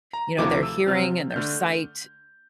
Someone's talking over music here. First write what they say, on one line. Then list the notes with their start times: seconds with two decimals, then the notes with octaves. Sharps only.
you know, their hearing and their sight
0.13 A#5
0.38 D2 C3 F3 A3 E4 D6
0.63 E6
0.87 C3 F3 C4 F6
1.30 G6
1.36 D3 A3 D4 F6